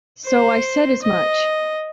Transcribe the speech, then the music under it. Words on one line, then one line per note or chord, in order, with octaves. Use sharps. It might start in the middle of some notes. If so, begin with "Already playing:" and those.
So I said as much.
C5
D#5